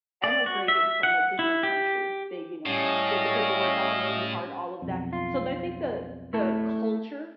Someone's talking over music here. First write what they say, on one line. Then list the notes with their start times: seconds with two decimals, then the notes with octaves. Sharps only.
emigrated from a different country. They, you know, did the paperwork, got their green card, all of that, so, th I think the the culture
0.24 D5
0.46 F#4
0.68 E5
1.03 F#5
1.39 E4
1.63 G4
2.66 A2 G3 A3 C#4 D#5 F5
4.82 B1 F2
5.13 F4
6.33 A3 E4 A4